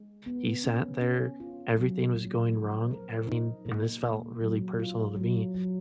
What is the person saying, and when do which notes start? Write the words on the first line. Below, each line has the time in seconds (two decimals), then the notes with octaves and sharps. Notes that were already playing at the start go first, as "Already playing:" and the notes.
he sat there, everything was going wrong, everything and this felt really personal to me,
Already playing: G#3
0.26 B3
0.64 C#4
1.01 C#4
1.40 F4
1.78 F#3
2.15 A#2
2.53 F3
2.91 A#4
3.29 D#4
3.66 A#2
4.03 A#2
4.41 F#3
4.80 F4
5.16 F#3
5.54 F#3